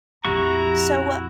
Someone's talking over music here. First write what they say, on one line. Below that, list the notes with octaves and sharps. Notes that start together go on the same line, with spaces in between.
So, uh
A#1 F2 E4 F#4 G4 A#5 C#6